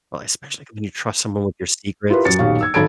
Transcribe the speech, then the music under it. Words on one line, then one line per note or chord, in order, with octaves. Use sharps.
well, especially when you trust someone with your secrets.
E4 F4 G4 A#4 B4
F#2 A6 C#7
D#1 B1 G4 F5 C#6
E6 G#6
G#1 A4 B5 G#6 D7